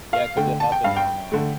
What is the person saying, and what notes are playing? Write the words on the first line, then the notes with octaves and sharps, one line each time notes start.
Yeah, 'cause it happened on, um,
F5
D3 A3 G5
A5
G5
G2 F5
G5
D3 A3